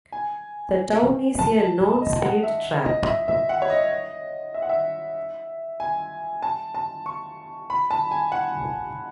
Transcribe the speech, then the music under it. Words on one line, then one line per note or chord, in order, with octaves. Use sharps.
The town is a known speed trap.
G#5
A5
D#5
F#5
E5
D#5
E5
E5
F#5
C#5
D#5
E5
F#5
E5
G#5
A5
A5
C#6
B5
A5
G#5
F#5